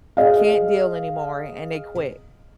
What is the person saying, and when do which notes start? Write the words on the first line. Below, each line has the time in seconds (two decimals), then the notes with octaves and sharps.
can't deal anymore, and they quit.
0.17 G#4 D#5 F5